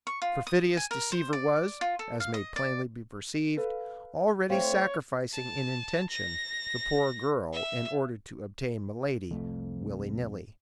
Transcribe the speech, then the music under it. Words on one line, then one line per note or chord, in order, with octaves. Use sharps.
The perfidious deceiver was, as may plainly be perceived, already sacrificing, in intention, the poor girl in order to obtain Milady, willy-nilly.
C#6
F4
D#6
G#5
A#4
C5
D5
F4
A4
F5
D#5
D5
A4 B4 F5
A3 C4 E4 C5 C#5 F5
A5
A#6
E5
C2 F2 A3